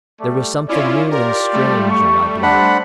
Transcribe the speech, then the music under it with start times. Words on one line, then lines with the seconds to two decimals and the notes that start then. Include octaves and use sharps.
There was something new and strange in my blood.
0.20 G3 A3 D5
0.68 C#4 E4 F4 C#5 D5
1.11 F4 G4 A#4 D5
1.53 G3 A3
1.91 C#6
2.43 C4 D4 C5 F#5 B5